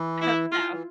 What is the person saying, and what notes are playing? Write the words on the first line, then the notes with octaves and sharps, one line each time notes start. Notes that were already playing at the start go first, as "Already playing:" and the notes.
I hope so.
Already playing: E3
E4
F4
E3